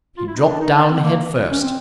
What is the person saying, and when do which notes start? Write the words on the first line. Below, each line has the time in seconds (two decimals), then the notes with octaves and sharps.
He dropped down head first.
0.17 F4
0.26 E4
0.36 D#4
0.46 D4
0.60 D#4
0.75 D4
0.89 C4
1.03 A#3
1.52 C#4
1.60 C4